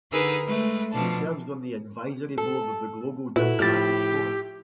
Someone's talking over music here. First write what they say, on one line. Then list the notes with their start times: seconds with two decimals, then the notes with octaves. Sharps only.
She serves on the advisory board of the "Global Diplomatic Forum".
0.12 D3 D#4 G#4 A#4 B4 E6
0.45 G#3 A3 B4
0.92 B2 F3 D4 A5
2.38 A4
3.36 A#2 E4 F#4 A4 B4
3.59 A2 F3 G4 F6 A6